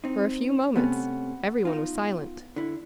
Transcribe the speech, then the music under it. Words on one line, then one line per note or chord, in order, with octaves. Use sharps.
For a few moments every one was silent.
C4 D#4
C3 A3 B3 C#4
D#4 F4
D3 E4